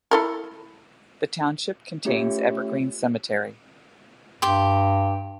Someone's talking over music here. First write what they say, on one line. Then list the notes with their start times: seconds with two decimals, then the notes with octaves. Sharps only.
The township contains Evergreen Cemetery.
0.11 E4 A4 A#4
2.05 A3 C#4 F4 G4 C#5 E5
4.42 G2 G4 C6